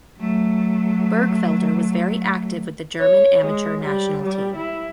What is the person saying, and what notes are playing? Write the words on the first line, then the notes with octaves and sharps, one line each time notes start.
Bergfelder was very active with the German amateur national team.
F#3 A3
C#5
G#3
G3
G3
E4